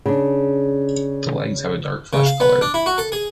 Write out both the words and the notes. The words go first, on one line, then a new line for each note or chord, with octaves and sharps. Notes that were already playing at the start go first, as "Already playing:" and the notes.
The legs have a dark flesh color.
C#3 D4
C#3
F5
B3
D4
E4
F#4
A4
G#4